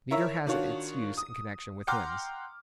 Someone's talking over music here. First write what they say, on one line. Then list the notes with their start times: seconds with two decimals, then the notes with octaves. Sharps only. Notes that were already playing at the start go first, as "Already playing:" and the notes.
Meter has its use in connection with hymns.
0.11 E4 A#4 C#5 E5
0.47 D#3 D4 F4 F#4 C#5
1.17 D#6
1.87 F#5 G5 A#5 C6 D6 F6